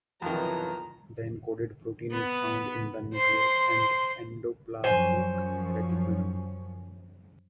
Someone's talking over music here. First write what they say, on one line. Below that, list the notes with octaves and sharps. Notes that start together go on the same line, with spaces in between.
The encoded protein is found in the nucleus and endoplasmic reticulum.
B1 F2 D#3 E3 F4 A#5
B3
C5 C6
F#2 F3 C#4 C5 G#5